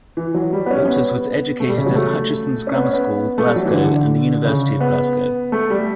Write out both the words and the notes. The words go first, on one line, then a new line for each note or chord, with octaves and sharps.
Waters was educated at Hutchesons' Grammar School, Glasgow and the University of Glasgow.
E3
F#3
G3
B3
C#4
B3
A3
G3
C#3
F#3
A3
C#4
B3
C#4
B3
A3
G3
F#3
E3
D3
C#3
B3
A3
G3